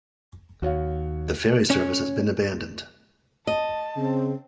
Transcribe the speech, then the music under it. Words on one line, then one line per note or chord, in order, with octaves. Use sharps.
The ferry service has been abandoned.
D#2 F#4 C#5 F5
C#4 C#5
D#5 A5
C#3 C4